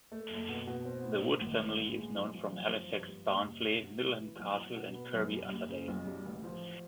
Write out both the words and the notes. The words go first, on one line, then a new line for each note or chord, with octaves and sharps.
The Wood family is known from Halifax, Barnsley, Middleham Castle, and Kirby Underdale.
A3
F#1
B2
B2
C4
A2
A#3
G#1
E3
A2
G#3
B1
F3
F#2
F3
G2
G3
F#1
C3
C3
F#3
A1
E3
B1
F#3
B2
B3
F#2
G3
F#1
C#3
B1
G3
A1
F3